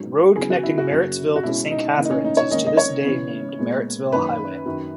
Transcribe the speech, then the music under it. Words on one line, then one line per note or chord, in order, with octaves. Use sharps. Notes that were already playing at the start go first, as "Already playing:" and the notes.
The road connecting Merrittsville to Saint Catharines is to this day named Merrittsville Highway.
Already playing: G#2 F#3 C#4
E2 C#3 F#3 B3 G#4
F#4
E4
F#4
F#2 C#3 F#3 A#3 C#4
F#4
B2 G#3 C#4 E4
D#4
C#3 E3 A#3
D#4
C#4
D#4
C#5
G#2 D#3 A#3 C#4 D#5
D#5
C#5
C#3 E3 B3
A#2 G#3 B3
F#2 D#3 A#3 C#4 B4
F#2 D#3 F#3